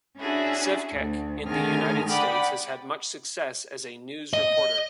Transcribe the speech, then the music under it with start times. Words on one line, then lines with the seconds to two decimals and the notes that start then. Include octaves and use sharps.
Sevcec in the United States has had much success as a news reporter.
0.19 C#4 D4 E4 F#4 G#4
0.94 D2
1.47 D3 D#3 A3 G#4 G#5 F6
2.09 D5 F#5 G5 B5 D#6
4.33 D#5